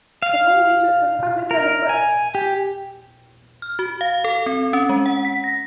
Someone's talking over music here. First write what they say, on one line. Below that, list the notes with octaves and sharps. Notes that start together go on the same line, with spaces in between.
The full research was published as a book.
F5
A#4
G#5
G4
F6
F#4
F5
A4
C4
C#4
G#3
F#5
B6
A#6